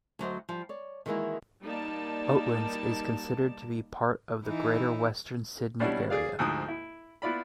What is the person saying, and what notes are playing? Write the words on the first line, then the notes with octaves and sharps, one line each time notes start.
Oatlands is considered to be part of the Greater Western Sydney area.
D2 F#3 C5 D#5
F3 G3
C#5 D5
D#3 E3 G#3 A#3 E4 F#4
G3 A#3 D#4 D5 A5
E3 D#4 E4
B2 G3 C#4 D4 E4 F#4
G#4 D5 F5
D2 G#2 F3 D#6
E4
B3 E4 F4 D5 B5